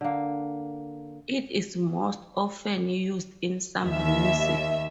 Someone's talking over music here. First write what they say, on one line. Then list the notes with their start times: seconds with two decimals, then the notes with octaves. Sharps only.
It is most often used in samba music.
0.01 D3 A#3
3.85 D#2 E5